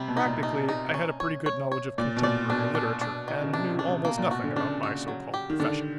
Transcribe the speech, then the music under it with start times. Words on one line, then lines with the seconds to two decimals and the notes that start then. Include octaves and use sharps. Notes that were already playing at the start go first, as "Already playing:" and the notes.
Practically I had a pretty good knowledge of contemporary literature and knew almost nothing about my so-called profession.
Already playing: C3 G3
0.08 B2
0.17 D#4
0.25 A#2
0.43 D#4
0.69 D#4
0.94 C#4
1.20 C#5
1.46 C#5
1.72 C#5
1.98 A#2 D5
2.16 B2
2.23 A#2 D5
2.50 B2 D4
2.75 D4
3.01 D4
3.28 D#3
3.41 C#3
3.53 C3 D4
3.70 C#3
3.79 D4
3.88 C3
4.05 B2 A#3
4.18 A#2
4.30 B2 F#4
4.44 D3
4.56 C#3 D4
4.83 F#4
5.08 F#3
5.34 G4
5.50 D#3
5.60 D3 D4